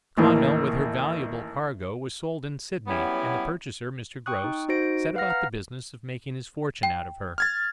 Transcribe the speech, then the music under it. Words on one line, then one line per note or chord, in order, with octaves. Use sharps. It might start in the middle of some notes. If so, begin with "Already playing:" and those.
The 'Clonmel', with her valuable cargo, was sold in Sydney, and the purchaser, Mr. Grose, set about the business of making his fortune out of her.
A1 D#2 E3 A#3
F#3 G3 B3 C#4 E4
G5 C#6 D#6 F#6
D#4
D#4 F#4 C5 A#6 D7
B4 F5 F#5 F6 A#6
A#5 F6
G5
F6 G#6 A6